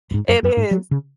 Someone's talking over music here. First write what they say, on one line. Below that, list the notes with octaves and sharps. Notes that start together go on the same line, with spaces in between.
it is.
F#2
G#2
F#2
F#2
G#2
F#3
C#3